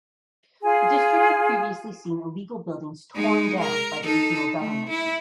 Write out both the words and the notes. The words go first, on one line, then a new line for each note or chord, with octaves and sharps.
The district had previously seen illegal buildings torn down by the regional government.
F4 G#4 G#5
G#3 D#4
A#4
D#4 A4
A3
E4